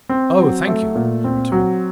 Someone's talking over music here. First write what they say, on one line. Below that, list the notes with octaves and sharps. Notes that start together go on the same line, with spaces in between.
"Oh, thank you!" he returns.
C4
F#3
A3
A#2
C4
F#3